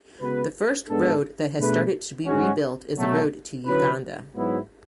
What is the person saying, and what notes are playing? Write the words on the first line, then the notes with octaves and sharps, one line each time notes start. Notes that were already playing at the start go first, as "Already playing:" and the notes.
The first road that has started to be rebuilt is the road to Uganda.
C#3 G#3 B3 F#4 B4
G#2 G#3 B3 D4 A4
B2 A3 D4 G#4 B4
G#2 G#3 C#4 F#4
B2 F#3 A3
D3 F#3 C#4 E4 B4
G#2 F#3 B3 E4